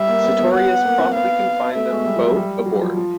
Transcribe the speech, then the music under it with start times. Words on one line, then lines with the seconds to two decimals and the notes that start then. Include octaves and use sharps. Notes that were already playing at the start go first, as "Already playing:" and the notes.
Sartorius promptly confined them both aboard.
Already playing: G3 E5
0.08 A#3
0.23 B3
0.38 B3
0.54 F#5
0.85 A#3
1.00 C4
1.14 B3 F5
1.75 A3 E5
1.90 G#3
2.06 G3
2.16 F3
2.26 F#3
2.36 G3
2.66 F#3
2.81 F3
2.96 F3